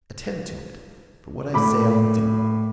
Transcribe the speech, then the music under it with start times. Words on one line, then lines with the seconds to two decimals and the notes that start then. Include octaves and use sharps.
Attend to it; for what I say I'll do.
1.54 A2 B5 D6